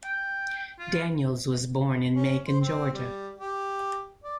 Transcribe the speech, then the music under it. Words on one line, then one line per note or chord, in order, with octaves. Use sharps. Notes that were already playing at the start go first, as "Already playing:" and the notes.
Daniels was born in Macon, Georgia.
G5
F4
C#4
C5
C4
G3
G4
D5